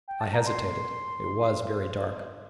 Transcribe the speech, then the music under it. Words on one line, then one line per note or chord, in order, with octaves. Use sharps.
I hesitated: it was very dark.
G5
A5
A#5
C6